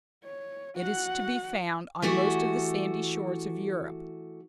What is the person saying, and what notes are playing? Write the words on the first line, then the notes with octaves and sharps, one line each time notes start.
It is to be found on most of the sandy shores of Europe.
C#5
F#4 F#5
E3 A3 F#4 G4